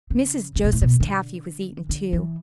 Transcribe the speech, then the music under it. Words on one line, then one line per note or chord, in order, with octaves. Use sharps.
Mrs. Joseph's taffy was eaten too.
C#3
C#3
B2
A2
B2
D3
D3
E3